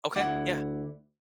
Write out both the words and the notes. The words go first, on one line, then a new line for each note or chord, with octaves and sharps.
Okay. Yeah.
D2 E4 F#5 D6